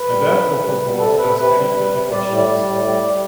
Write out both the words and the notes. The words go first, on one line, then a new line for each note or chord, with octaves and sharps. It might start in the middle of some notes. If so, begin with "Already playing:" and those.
I therefore forbore to ask any further questions.
Already playing: B4
G3
C3
C3
G3
G3
C3 A4
C3 B4
C3 B4
G3
G3
C3
G3 D5
A2
D5
G3
A2
G3
G3